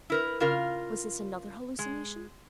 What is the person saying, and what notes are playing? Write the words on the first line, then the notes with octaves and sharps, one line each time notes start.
Was this another hallucination?
E4 A#4 B4
C#3 F4 A#4
G#3